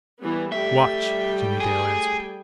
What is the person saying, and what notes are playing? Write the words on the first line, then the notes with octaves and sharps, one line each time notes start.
"Watch!" Jimmie Dale answered.
E3 G3 B3
G3 A3 E5 G5
G#4